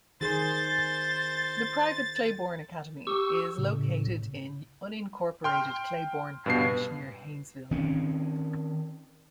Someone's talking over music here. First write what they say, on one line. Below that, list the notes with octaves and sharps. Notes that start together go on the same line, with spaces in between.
The private Claiborne Academy is located in unincorporated Claiborne Parish, near Haynesville.
D#3 G#4 C5 A6
G4 C#6 E6
A2 C#3
G5 C6 F6
G2 B2 C7
D#3 C4 C#4